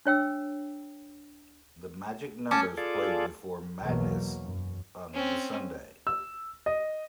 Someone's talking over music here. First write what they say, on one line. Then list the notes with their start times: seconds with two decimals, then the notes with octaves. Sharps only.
The Magic Numbers played before Madness on the Sunday.
0.06 D4 C#5 G5 E6
2.51 C#4 A5 D6
2.77 F4 G#4 A4 D5
3.82 B1 E2 B2 F#3 A#3
4.41 F#2
5.13 C4 C#4
6.07 E6
6.66 D#5